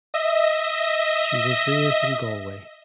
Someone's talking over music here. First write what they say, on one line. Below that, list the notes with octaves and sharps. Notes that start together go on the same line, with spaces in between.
She was raised in Galway.
D#5 E5 A#6